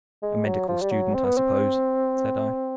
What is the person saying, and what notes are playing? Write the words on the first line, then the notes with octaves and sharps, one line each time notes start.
"A medical student, I suppose?" said I.
G#3
F#3
F3
G3
F#3
C4
B3
C4